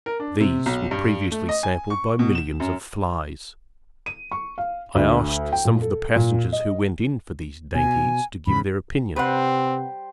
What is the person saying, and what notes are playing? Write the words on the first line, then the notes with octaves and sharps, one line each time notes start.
These were previously sampled by millions of flies. I asked some of the passengers who went in for these dainties to give their opinion.
A#4
D4
C3
B1
G2
A3
D#5
G#5
C#6
B2
E7
F#2
D#7
C#6
F5
D2
G5
A#2
A4
A#2
D#5
B2 G#5
E2 G#2 C#3 B5
C3 G3 C4 B4 C5 F#5